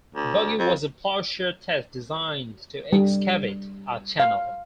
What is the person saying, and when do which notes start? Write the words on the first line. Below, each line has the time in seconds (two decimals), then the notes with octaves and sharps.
Buggy was a Plowshare test designed to excavate a channel.
0.14 D2
0.59 F2
2.93 G3
4.20 F5